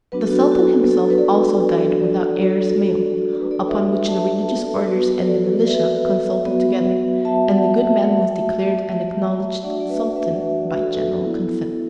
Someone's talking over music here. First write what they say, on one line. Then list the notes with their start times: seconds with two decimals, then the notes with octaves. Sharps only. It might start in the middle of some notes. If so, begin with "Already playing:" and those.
The sultan himself also died without heirs male; upon which the religious orders and the militia consulted together, and the good man was declared and acknowledged sultan by general consent.
0.12 F#3 B3 D4 F#4 B4
0.21 A4
0.30 F#4
0.40 A4
0.52 F#4
0.85 F#4
0.91 A4
1.10 B4
1.18 A4 D5
1.44 F#4 B4
1.70 F#3 D4 F#4 A4 D5
2.39 F#4
2.49 A4
2.62 A4
2.70 F#4
3.09 A4
3.29 A3 D4 F#4 D5
3.40 B4
3.51 A4 D5
3.69 B4 E5
4.08 E5 A5
4.68 A4
4.87 B3 F#4 B4
5.27 A4 D5
5.67 B4 E5
6.06 B4 E5
6.46 F#3 B3 F#4
7.25 E5 A5
7.52 D5 F#5
7.78 E5 A5
8.04 A3 F#4
9.63 A3 D4 F#4 D5 F#5
9.80 D5
9.89 B4 E5
10.05 D5
10.16 B4 E5
10.42 F#4
10.74 F#4
10.82 A4
11.21 B3 E4